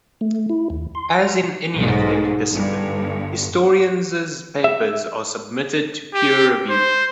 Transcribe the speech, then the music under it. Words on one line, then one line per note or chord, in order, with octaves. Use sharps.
As in any academic discipline, historians' papers are submitted to peer review.
A3
E4
D#2
C6
F6
B1 G#2
G1 G2
E5
G4
C5